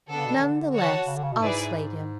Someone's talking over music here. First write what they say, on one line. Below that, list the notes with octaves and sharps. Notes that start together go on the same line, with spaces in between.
None the less I'll slate him.
D3 B3 D4 A4
C#3
B2
E3
D3
F#4 C#5 F#5 A5
C#3
D3
C#3
B2
G#2 E4 G#4 B4 D5